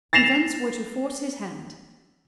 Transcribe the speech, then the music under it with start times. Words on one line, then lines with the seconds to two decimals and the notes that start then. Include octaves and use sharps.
Events were to force his hand.
0.13 A6 A#6 C7 E7 F7